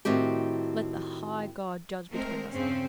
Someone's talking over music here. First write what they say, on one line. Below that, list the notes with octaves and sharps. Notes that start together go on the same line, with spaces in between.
'Let the high God judge between us.
A2 D#3 C4 F#4 G4
G#3 A3 C4 A#4
E2 G2 C#3 C4 C#4